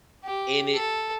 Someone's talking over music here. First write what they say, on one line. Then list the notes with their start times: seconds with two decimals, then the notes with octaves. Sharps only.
in it
0.24 G4
0.75 A4